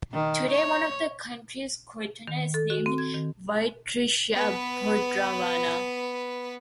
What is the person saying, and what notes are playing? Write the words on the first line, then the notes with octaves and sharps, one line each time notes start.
Today, one of the counties in Croatia is named Virovitica-Podravina.
D#3
C#5
D#3
A4
F#4
C4
G#6
D#3
B3 B4